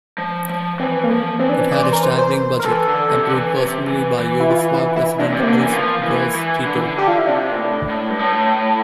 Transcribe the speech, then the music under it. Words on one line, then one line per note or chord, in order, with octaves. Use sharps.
It had a staggering budget approved personally by Yugoslav president Josip Broz Tito.
F3
F3
E3 C4
A#3
F3
E3 C4
D4
D5
C5
A#4
C5
C5
A#4
E3 A4
D3
C3
D3
E3
C3
E3
E3
E4
F4
E4
E4
A#2 D4
C3
C4
D3 A#3
E3
F3
E3
E3
D3
E3
D3
D3 G4
F4
E4
C3 D4
A#2
A2
A2
G2
A2